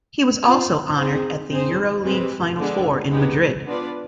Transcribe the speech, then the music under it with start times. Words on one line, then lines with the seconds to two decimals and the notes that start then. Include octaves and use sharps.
He was also honored at the EuroLeague Final Four in Madrid.
0.42 C4 F4 C5
0.97 C4 D#4 G#4
1.50 C4 D#4 G#4 C5
2.04 G#3 C4 G4 B4
2.58 D3 G#3 B3 D4 G#4
3.11 G#3 B3 D#4 G4
3.66 B3 D4 F4 B4 D5